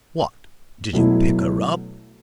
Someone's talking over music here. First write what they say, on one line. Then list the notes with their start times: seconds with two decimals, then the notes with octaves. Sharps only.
"What! did you pick her up?"
0.93 B2 F#3 A3 E4 A4